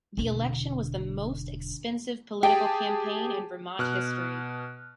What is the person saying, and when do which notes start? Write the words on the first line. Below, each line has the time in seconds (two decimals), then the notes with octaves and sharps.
The election was the most expensive political campaign in Vermont history.
0.17 E1 D3
2.43 G4 G#4 G5 A5
3.79 B2 F6 F#6